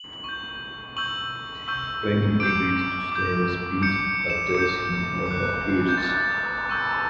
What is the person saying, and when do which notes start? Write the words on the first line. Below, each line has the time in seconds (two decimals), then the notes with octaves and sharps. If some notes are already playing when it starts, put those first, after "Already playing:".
Peggy agrees to stay with Pete but tells him no more cruises.
Already playing: F#7
0.24 C#6 G6
0.97 C#6 E6 G6 F#7
1.68 C#6 E6 G6
2.40 D6 G6 D7
3.12 D6 G6
3.82 D6 G6 C#7
4.30 E7
4.54 D6 G6 C#7
5.26 D6 F#6
5.89 G6
5.97 D6 F#6 A6
6.70 C#6 E6 G6